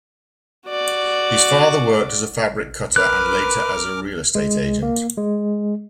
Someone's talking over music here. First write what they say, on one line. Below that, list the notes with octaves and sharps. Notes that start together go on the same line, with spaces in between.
His father worked as a fabric cutter and later as a real estate agent.
F#4 D5
A#4 B4 D6 F6 F#6
G#3
A#3
G#3